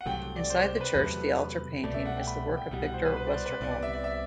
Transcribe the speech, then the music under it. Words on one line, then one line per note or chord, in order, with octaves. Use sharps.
Inside the church, the altar painting is the work of Victor Westerholm.
F#5
C2 C3 F#3 A3 G5
D5
C5
C5
B4
E2 C3 F#3 A3 B4
C2 B2 A3 D5
E5
F#5
G5
B5
G5
C2 B2 G3 F#5
F#5
C5
B4
B4
D5
C5
B4
C2 C3 G3 B3 D5
D5
E5
D5
E5